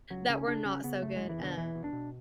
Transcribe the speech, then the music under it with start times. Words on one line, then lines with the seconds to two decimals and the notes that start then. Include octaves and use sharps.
that were not so good, uh,
0.10 C#2 F#3
0.29 C#3 C#4
0.47 C#3 D4
0.65 C#3 C#4
0.84 C#3 B3
1.02 F#1 A3
1.16 E2 G#3
1.29 E3
1.39 B2 D3
1.57 E2 E3
1.75 B2
1.84 D4
1.93 B2